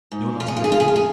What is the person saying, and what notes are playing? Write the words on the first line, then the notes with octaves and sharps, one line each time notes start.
You're not a drunkard!
G#2
F2 F4
G#4
F4
G#4
F2 F4
G#4
F4
G#4